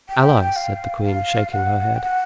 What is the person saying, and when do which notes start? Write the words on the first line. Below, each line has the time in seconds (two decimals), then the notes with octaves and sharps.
"Allies!" said the queen, shaking her head.
0.09 G5
0.56 F5
1.04 F5
1.52 F#5
1.95 G5
2.02 F#5